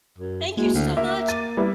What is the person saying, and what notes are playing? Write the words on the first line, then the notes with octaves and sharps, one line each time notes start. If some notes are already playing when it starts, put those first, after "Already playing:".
thank you so much,
F#2
G#3 A#3 E4 F#4
D2
A#3 E5 D6
A6 D#7
G3 B3 E4